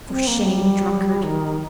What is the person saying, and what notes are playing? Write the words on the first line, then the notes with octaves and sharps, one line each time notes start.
For shame, drunkard!'
C4
A#3
G3
D#3